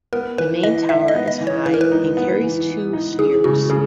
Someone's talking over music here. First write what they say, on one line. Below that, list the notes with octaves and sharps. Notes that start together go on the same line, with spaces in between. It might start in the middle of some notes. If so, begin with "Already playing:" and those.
The main tower is high and carries two spheres.
B3 A#4
E3 B4
E3 D#5
D#4 E5
D#5
B3
D#5
E3
C#5
E3 B4
A#4
B4
D#4
B3
E3
E3
D#4
E3 G#4
C#3 F#4
C#3 G#4